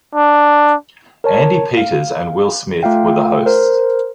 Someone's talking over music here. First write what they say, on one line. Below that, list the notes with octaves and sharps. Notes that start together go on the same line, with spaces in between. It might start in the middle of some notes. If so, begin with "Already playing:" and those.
Andi Peters and Will Smith were the hosts.
D4
A#4 C#5 A5
F5
A3 F4 F5 G5
A#4 C5